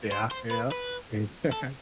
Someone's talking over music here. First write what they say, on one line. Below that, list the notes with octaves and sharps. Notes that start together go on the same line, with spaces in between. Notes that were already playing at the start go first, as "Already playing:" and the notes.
Yeah, yeah. Yeah.
C5
C5
B4
B4
A4